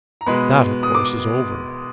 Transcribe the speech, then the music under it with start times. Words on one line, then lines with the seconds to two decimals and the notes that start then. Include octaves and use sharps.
That, of course, is over.
0.21 A#5
0.26 B2 G#3 B3 B5
0.83 D#6
0.95 D6